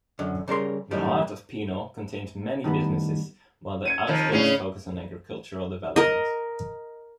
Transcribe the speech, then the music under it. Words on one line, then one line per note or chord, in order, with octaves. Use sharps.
The heart of Penal contains many businesses while the outskirts focus on agricultural development.
F#2 D3
C#3 G3 A#4 C6
F#2 A2 D#3 G3
A2 D#3 G3 B3
G#6 C#7 D#7
C3 D#3 F3
A2 C#3 C#4 D4 C7
A#4 D#5